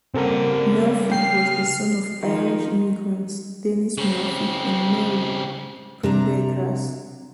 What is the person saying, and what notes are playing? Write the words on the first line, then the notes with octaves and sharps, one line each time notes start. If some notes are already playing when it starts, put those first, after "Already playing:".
Murphy was the son of Irish immigrants Dennis Murphy and Mary Prendergrass.
C#3 G3 A#3 C4 A4 A#4 F#5
G5 F6 C7
D#3 F3 D#4
C#3 C4
C3 D4 A#5